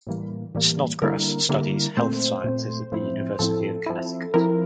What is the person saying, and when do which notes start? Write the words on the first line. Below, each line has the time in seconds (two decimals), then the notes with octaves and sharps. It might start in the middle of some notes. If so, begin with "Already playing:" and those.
Snodgrass studies health sciences at the University of Connecticut.
0.07 A2 E3 G3 A#3
0.55 A2 E3 G3 A#3
1.02 D3 G3 A#3 E4 A#4
1.49 D3 G3 A#3 E4
1.97 A#2 A3 C4 C5
2.44 A#2 A3 C4
2.92 A2 F3 C4 E4
3.39 A2 F3 C4 E4 A4
3.86 F3 C4 E4
4.34 F3 C4 E4 A#4